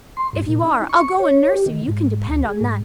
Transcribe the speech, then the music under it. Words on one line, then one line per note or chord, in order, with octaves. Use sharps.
If you are I'll go and nurse you, you can depend on that.
C6
G2
A#2
D#4
C#6
C#5
G4
D#3
G#2
D2
G#4
G#2